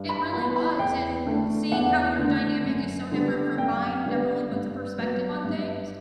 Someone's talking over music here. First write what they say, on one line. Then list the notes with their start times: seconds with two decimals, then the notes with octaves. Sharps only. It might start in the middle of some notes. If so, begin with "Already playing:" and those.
It really was and seeing how your dynamic is so different from mine definitely puts a perspective on things,
Already playing: G2
0.09 B5
0.32 E3 B5
0.37 B3
0.56 B5
0.79 E2 G5
1.26 D3 A3
1.72 E2 F#5
2.18 D3 A3
2.65 F#2
3.11 D3 G3 B3
3.58 F#2 G5
4.05 D3 G3 B3
4.52 G2
4.98 F#3 B3
5.44 G2